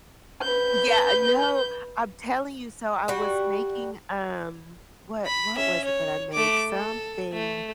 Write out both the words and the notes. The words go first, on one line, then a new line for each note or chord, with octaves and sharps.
Yeah, no, I'm telling you, so, I was making, um what what was it that I made? Something
B4 G6
G3 F#4
B5
C#4 E5
C#5
A3 D6
A4
A3